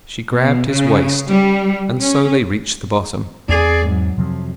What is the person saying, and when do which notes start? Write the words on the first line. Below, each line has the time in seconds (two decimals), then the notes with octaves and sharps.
She grasped his waist, and so they reached the bottom.
0.30 B2
0.68 C#3
1.28 G3
2.00 C#4
3.49 E2 C4 G#4 D5
3.87 G#2 F#3
4.18 F2 C3 F3 F#3